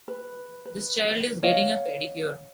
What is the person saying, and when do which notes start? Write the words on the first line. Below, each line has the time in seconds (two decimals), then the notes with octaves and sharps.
This child is getting a pedicure.
0.08 B4
0.65 B4
1.43 C#5 D#5 F5 F#5